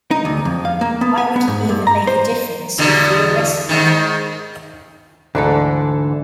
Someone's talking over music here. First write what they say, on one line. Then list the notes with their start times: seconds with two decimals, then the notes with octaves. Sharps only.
Why would it even make a difference if you are rescued?
0.11 D#4
0.25 D2
0.45 F2
0.65 F5
0.81 A#3
1.01 B3
1.17 G#5
1.36 B3
1.48 G#2
1.69 G2
1.87 A#5
2.07 C5
2.78 E2 B2 D3
3.69 G#2 C3 D#3
5.35 D2 G#2 D3 E3 D4 A4